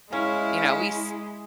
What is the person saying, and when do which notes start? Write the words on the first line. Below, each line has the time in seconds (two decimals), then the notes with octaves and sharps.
you know, we s
0.13 G#3 C#4 E4 F5